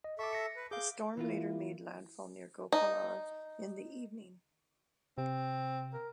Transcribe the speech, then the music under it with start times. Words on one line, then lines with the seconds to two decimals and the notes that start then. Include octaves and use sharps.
The storm later made landfall near Gopalpur in the evening.
0.04 D#5
0.19 A4 E5 C#6 D6
0.33 A#6 C#7
0.56 B4
0.71 G#4 F5 D6 G6
1.17 E3 A#3 E4 F4
2.72 D#4
5.18 C3 C4
5.93 A#4